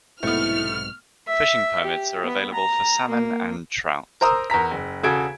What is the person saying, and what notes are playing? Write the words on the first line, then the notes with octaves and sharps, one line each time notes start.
Fishing permits are available for salmon and trout.
B1 G#2 C3 A3 B3 E4 F6
E5
G4
B3
A#5
A#3
A#4 C5 A#5 D#6 E6
E2 A#4 A#5 B6
F#1
E1 C#3 F#4 A4 G#6 D7